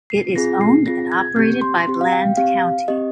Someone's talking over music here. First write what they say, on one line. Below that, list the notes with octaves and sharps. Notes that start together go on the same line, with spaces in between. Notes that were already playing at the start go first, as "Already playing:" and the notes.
It is owned and operated by Bland County.
C7
C4 F4 G#4 A#6
C7
C4 F4 G#4 A#6
G#6
C4 G4 G6
C6
C4 G4
F5
G5
C4 G4 F5
C4 G4 D#5